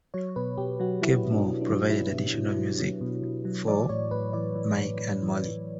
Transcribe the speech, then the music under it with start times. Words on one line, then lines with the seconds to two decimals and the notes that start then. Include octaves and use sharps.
Keb' Mo' provided additional music for "Mike and Molly".
0.14 F#3 C#5
0.36 B2 B4
0.57 B2 G4
0.80 F#3 F#4
1.01 F#3 E4
1.25 B2
1.32 D4
1.46 B2
1.61 D4
1.68 F#3
1.90 F#3 E4
2.13 B2
2.34 B2
2.57 F#3
2.79 F#3
3.01 B2
3.23 B2
3.45 F#3
3.67 E3 D5
3.89 A2 C#5
4.11 A2 B4
4.33 E3 D5
4.55 E3
4.78 A2
5.00 A2
5.22 E3
5.44 E3